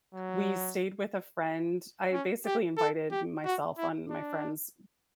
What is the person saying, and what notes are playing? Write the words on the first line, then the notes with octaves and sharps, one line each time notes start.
We stayed with a friend. I basically invited myself on my friend's
F#3
C#4
G4
A4
G4
F#4
E4
D4